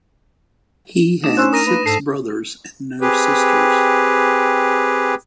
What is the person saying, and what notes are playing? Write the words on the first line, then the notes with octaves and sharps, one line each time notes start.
He had six brothers and no sisters.
A3 D4 D#4 E7
C#4 C5 E6 F#6
A#4 D#6 A#6 D#7
A#3 B4
G#2 A4 C7
C4 G4 G#4 B4